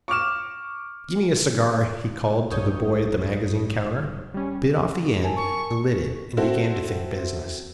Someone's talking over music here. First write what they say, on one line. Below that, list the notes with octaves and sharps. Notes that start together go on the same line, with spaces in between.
'Gimme a cigar,' he called to the boy at the magazine counter; bit off the end, lit it, and began to think business.
C#6 D6 F6 E7
B1 G2 C#5 D#6 G6
G3 C#4
A#4 G#5 A5
C#6
C4 E4 F#4 A4